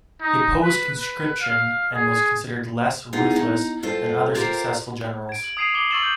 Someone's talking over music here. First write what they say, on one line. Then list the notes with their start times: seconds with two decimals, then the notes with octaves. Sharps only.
He opposed conscription and was considered less ruthless than other successful generals.
0.22 D#4
0.63 B4
0.99 B4
1.42 F5
1.93 G#4
3.13 B3 D#4 F4 G#4
3.36 D#4
3.83 G2 F4 A4 C5
4.35 F4 G4 A#4 C5 F5
5.29 G#6 D7
5.44 F#7
5.57 D#6 G#6 C7 D7 D#7 F7
5.74 D6 G#6 C7 C#7 F#7 G7
5.91 C#6 E6 A6 E7 F#7
6.03 G6